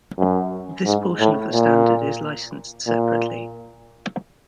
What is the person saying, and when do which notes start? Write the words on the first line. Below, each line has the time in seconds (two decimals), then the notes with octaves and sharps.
This portion of the standard is licensed separately.
0.18 F#2
0.85 G#2
1.19 A2
1.53 A#2
2.87 A#2